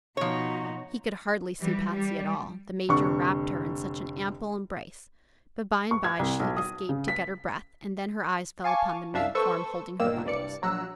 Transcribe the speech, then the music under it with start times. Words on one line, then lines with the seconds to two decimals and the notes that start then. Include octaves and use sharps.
He could hardly see Patsy at all, the Major wrapped her in such an ample embrace; but bye and bye she escaped to get her breath, and then her eyes fell upon the meek form holding her bundles.
0.17 B2 F3 D#4 F#4 C#5
1.59 E3 G3
1.91 G3
2.89 F1 D3 C#6
5.91 C#6
6.04 G#6
6.19 C2
6.40 B1
6.57 D#6
6.89 C#3
7.08 B6
8.64 F5 G#5 A5 C#6 D6
9.14 C2 F#2 D4 E5 F5 E6
9.35 A4 B4 C5 C#6 E6
10.00 G1 A#2 D#3 A#3 E6 E7
10.25 C2 G2 D5 C#7
10.62 A#1 F#3 A#5 E6 F#6